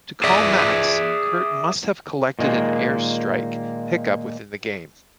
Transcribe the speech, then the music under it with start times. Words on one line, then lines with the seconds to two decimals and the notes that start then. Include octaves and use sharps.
To call Max, Kurt must have collected an airstrike pickup within the game.
0.24 G#4 D5 E5
2.39 A#2 D#3 G#3 A#3